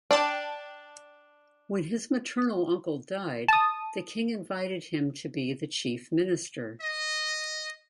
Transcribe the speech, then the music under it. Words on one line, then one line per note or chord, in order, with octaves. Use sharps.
When his maternal uncle died, the king invited him to be the chief minister.
D4 D5 G5 A5
A5 D#6
D#5